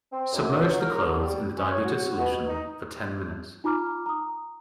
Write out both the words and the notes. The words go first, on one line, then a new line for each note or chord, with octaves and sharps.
Submerge the clothes in the diluted solution for ten minutes.
C4
F#2
F#3
A#4
D3
G3
C#4
C#5
F#4
B2
D#4
D#4 F4 A#5 D6 F6
A#5 D#6